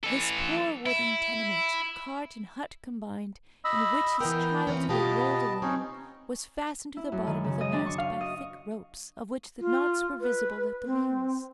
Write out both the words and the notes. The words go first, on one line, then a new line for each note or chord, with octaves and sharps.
This poor wooden tenement, cart and hut combined, in which his childhood had rolled along, was fastened to the bottom of the mast by thick ropes, of which the knots were visible at the wheels.
E3 A4
E4
D#5 B5 E6
E3 B3 A#4 G5
E3 C4 C#4
B2 B3 F4 G4 D#5 A5
C4 C#4 D#4 C#5
E4
F#2
D#3
C#3
D#5
D4
C#6
F5
D#5
F4
B4
C4